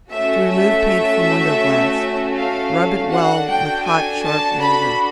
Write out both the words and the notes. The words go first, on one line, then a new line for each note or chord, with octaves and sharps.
To Remove Paint from Window-Glass.--Rub it well with hot, sharp vinegar.
A3 C#4 F#4 A4 E5
E5
F5
D4 F#4 A4 F#5
G5
G#5
A5
B5